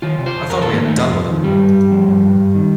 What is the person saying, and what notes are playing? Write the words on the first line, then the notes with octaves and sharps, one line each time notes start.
I thought we had done with him.
D#3 F4
C3
C5
F2
F2 A#4
D#3 A4
A#3
D#3 A3
F2 F3
F2
D#3
G2 G3
G2
G2
F3
G2
G2
G2
D#3